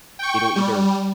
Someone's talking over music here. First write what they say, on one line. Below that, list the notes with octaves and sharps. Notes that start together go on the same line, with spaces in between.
it'll either
G5 C#6
G3